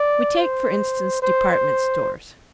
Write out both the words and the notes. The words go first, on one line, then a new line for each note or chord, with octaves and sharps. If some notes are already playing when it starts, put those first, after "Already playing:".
We take, for instance, department stores.
Already playing: D5
C5
C5
C5